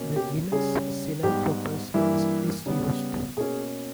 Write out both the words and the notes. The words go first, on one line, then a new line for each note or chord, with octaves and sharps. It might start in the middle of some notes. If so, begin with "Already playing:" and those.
The genus "Sinanthropus" is disused.
Already playing: B2 A#3 C#4
G4
C#3 G3 C#4 G#4
G#2 G3 B3 G4
G2 E3 G3 A#3 E4
C#3 G3 B3
B2 A#3 C#4 G#4